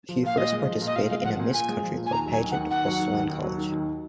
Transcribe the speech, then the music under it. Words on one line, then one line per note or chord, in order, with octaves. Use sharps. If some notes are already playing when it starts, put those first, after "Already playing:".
She first participated in a Miss Country Club pageant while still in college.
F3
A#2 F5
A#2 D#5
G#3
F3
A#2
D#5
A#2 F5
G#3 F5
F5
F3 F#5
A#2
A#2 G#5
G#3
F3
A#2
G#5
D#2 A#5
F#3
G#5
D#3
F#5
D#2
D#2 F#5
F#3
D#3
D#2
D#2
F#3
D#3
D#2